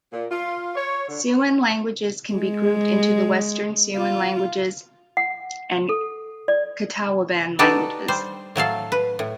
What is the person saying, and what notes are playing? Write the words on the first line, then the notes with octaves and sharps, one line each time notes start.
Siouan languages can be grouped into the Western Siouan languages and Catawban languages.
A#2
F4
C#5
D3
G#3
F4
F#5
A4
D5
D4 D#4 F#4 G4 A4 B4
G3 C5
A2 F#3 A4 F5
B4
A2